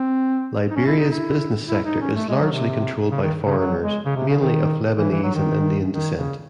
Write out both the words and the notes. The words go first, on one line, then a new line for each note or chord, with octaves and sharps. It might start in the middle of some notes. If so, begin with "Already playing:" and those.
Liberia's business sector is largely controlled by foreigners mainly of Lebanese and Indian descent.
Already playing: C4
D#4
C#4
E4
D#4
E4
E4
D#4
C#4
A3
G#3
F#3
C3
C#3
D#3
C#3
F#3
G#3
C#3
C3
C#3
D#3
E3
E3
F#3
D#3
D#3
C#3